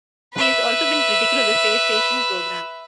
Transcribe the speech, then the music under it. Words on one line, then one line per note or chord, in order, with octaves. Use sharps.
He has also been critical of the space station program.
B4 E5